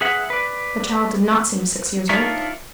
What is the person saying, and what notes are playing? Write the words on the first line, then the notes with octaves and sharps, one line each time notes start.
The child did not seem six years old.
G#4 B4 E5 F#5
B4 D5
D4 D#4 F4 A#4 C#5 E5